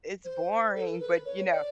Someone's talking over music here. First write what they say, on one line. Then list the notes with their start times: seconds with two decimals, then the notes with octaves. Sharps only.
it's boring, but, you know
0.25 C5
0.75 A4
0.95 A#4
1.00 B4
1.25 C#5
1.51 D5